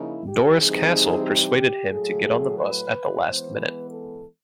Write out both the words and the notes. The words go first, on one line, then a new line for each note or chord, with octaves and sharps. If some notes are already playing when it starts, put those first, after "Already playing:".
Doris Castle persuaded him to get on the bus at the last minute.
Already playing: C#3 F3 A#3 D#4 E4
G4
C3 E3 G3 C4 D#4 G#4
G4
A2 F#3 A3 G#4
B4
E3 G#3 B3 C5
B4
A4